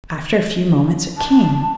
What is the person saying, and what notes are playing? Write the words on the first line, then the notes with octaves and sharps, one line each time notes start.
After a few moments it came.
A5